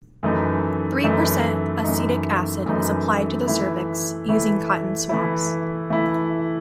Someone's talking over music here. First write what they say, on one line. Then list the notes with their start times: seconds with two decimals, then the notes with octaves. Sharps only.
Three percent acetic acid is applied to the cervix using cotton swabs.
0.23 F#2 E3 A3 D#4
1.04 F#2 E3 A3 D#4
1.84 F#2 E3 A3 D#4
2.66 F#2 E3 A3 D#4
3.47 E3 A3 E4
4.28 E3 A3 E4
5.09 E3 A3 E4
5.90 E3 A3 E4